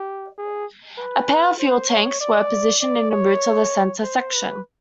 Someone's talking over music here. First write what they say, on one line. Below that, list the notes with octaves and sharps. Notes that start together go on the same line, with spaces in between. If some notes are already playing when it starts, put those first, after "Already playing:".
A pair of fuel tanks were positioned in the roots of the center section.
Already playing: G4
G#4
B4
C5
C#5
D5
D5
C#5
C5
B4